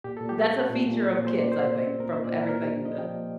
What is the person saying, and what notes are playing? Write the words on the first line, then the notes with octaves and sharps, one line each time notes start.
that's a feature of kids, I think, from everything that
A#2 G4
A4
A#2
G4
A3 A4
A3
A#2
A#2
C4 C5
A#2
C5
A#2 D5
C4 C5
A#2
C4
A#2 A#4
C5
A#2
D5
A#2 A#4
A#2 A#4
G4
A#2
F3 D#5
F3 G5
A#3